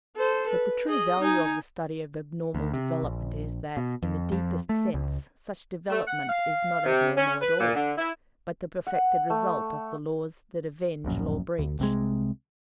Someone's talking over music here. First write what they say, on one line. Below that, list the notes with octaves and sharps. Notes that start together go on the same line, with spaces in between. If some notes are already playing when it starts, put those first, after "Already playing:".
But the true value of the study of abnormal development is that, in the deepest sense, such development is not abnormal at all, but the perfected result of the laws that avenge law-breach.
A4 C5
B4
G#4 D#5
D#4 G#5
D2
C3
A#1
B2
F2
F2
A3
C#2
A3
F#5
F5
C3
C#4
B4
A#2
D3
E4
F#5
A3
D1 A#1 F#2
D2
C2 C3 G#3